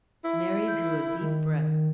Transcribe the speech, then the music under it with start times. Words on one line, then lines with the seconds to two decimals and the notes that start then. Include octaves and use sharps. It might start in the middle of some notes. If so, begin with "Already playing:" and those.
Mary drew a deep breath.
0.24 E4
0.67 G6
1.21 D#3